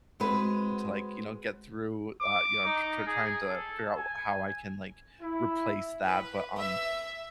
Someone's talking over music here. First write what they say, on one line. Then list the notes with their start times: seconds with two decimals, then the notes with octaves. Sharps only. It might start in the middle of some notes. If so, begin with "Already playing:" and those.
to, like, you know, get through, uh, you know, tr tr trying to figure out how I can, like, replace that, but, um,
0.20 G#3 C4 F#4 B4
2.21 D6
2.65 D#4
3.06 G#4
3.49 A4
3.97 G#5
5.21 E4
6.04 B4
6.57 E5